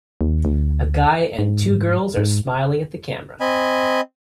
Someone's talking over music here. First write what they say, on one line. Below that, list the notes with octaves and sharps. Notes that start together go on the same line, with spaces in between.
A guy and two girls are smiling at the camera.
D#2
D2
G#2
G#2
C4 D#5 G#5 B5